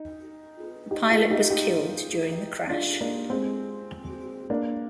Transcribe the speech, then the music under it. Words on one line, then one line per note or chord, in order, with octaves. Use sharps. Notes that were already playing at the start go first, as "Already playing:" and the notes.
The pilot was killed during the crash.
Already playing: D#4
D#4 G4
F4 G#4
D#4 G4
D#4 G4
D4 F4
A#3 D4
G#3 C4
A#3 D4